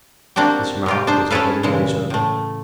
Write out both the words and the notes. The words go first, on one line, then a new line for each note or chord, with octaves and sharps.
His mouth was a little ways open.
A#3 C4 D4 F#4 G4
C3 F4 G4
D4 D#4 C5
C#4 E4 G#4 A4 B4 F5
A#2 C#3 E3 G#3
A2 A3